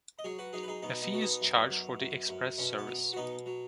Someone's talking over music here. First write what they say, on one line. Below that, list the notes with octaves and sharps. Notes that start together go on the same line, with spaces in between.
A fee is charged for the express service.
D#5
F#3 G#4 C#5
F#4 B4
F#3 D#4 G#4
B4
D#4 G#4
B2 B3 D#4
B3 D#4
B2 F#4
B3 D#4
F#2
F#3
F#2
F#2
B2 C#4
B3
F#3
F#4
B2 B3 D#4
F#3